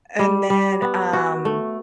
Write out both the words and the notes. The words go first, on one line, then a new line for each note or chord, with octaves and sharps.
And then, um,
G3
G3
B3
F#4
A3